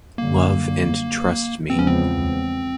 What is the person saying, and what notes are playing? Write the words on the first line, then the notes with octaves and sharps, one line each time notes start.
Love and trust me.
F#2 D3 G3 A#3
E2 C#3 F3 G#3 B3 C4
C#4
C4